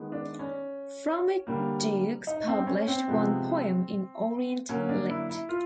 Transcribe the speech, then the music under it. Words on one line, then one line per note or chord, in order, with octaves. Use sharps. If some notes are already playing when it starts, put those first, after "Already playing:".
From it Dukes published one poem in Orient, Lit.
Already playing: D#3 G#3 B3
D4
C#4
D3 G3 A#3
D#4
C4
C4
C#4
C4
C3 F3 G#3 B3
D3 F#3 A#3 C#4
D4
E4
E4
F4